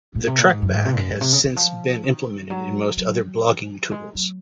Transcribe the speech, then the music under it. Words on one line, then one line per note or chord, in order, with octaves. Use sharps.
The TrackBack has since been implemented in most other blogging tools.
A#2
C3
A#2
G#2
F#2
G#2
C3
F#2
G#2
C3
C#3
D#3
F3
D#3
F#3
F#3
G#3
F#3